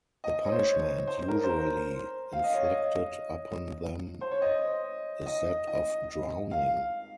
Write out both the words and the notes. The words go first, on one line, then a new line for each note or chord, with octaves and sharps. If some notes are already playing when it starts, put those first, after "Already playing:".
The punishment usually inflicted upon them is that of drowning.
D#5
C#5
C5
C#5
C5
A#4
C5
A#4
F5
D#5
C#5
D#5
C5
C#5
D#5
D#5
D#5
F5